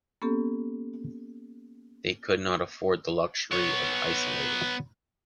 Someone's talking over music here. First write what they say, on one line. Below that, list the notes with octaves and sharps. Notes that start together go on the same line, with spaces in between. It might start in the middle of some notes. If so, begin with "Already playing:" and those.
They could not afford the luxury of isolating.
A#3 B3 C#4 G4 A4
B3 C#5